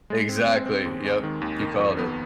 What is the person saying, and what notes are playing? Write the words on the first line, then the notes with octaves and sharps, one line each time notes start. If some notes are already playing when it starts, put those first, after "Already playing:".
Exactly, yep, you called it.
G#3
C4
C4
C4
D#2
G#3
D#3
D#2
D#3
F2
B3